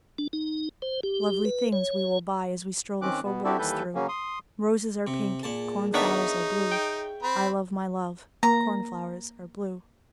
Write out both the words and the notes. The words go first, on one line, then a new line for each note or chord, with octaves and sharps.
"Lovely things we will buy As we stroll the faubourgs through, Roses are pink, corn-flowers are blue, I love my love, corn-flowers are blue."
D4
D#4
C5
G4
B4
C#5
D#3 C4 C#4 D6 F#6
B2 B3
C4 D4 E4 F#4 G4 A4
D#2 E3 G3 A4 B4 G6
C#3 F#3 A#3 C#4
C6 D#6
C3
A#2 G#4 A5
D#3 B3 D4 D#4 C#5 E5 F#5
G5
C4 B5
A#3 A#5